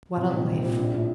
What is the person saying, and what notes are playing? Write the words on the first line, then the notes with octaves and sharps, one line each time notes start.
What a life!
C2
A#2 G3 C4 D#4
C2
A#2 G3 C4 D#4
A#1
A2 F3